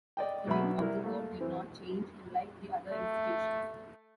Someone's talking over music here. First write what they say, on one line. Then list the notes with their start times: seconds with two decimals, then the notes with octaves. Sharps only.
The name of the Court did not change unlike the other institutions.
0.17 D5 D#5 G5
0.47 B1 B2 E5 B5
0.78 C2 E4 A#4
1.04 A3 A#3
1.40 E3 C4
2.92 A3